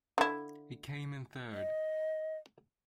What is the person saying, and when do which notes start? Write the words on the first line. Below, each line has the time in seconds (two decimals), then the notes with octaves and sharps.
He came in third.
0.18 D3 E4
1.53 D#5